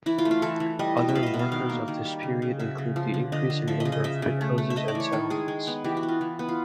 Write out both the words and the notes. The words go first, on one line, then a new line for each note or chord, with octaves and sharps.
Other markers of this period include the increasing number of pithouses and settlements.
E3 E4
F4
A3
F4
E3 A4
E3
G3 D#5
B2
E5
B3 F5
D#5 E5
B2
F5
D#3 F5
A#3
D#3
G3
C#3
C#3
F#3 E5
C#3
F3
D3
D3 D#5
D3
F3 E5
D#5
C#3
D#5
C#3 E5
C#3
A3
A3
E5
A3 D#5
D5
E3 C#5
D#3 A4
G#3 G#4
G#3
B3
E3 G4
F#4
B3
F4
E3
B3
F4